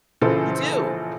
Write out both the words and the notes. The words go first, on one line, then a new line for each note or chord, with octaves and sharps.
You do.
A#1 C#3 E3 F4 A4 C5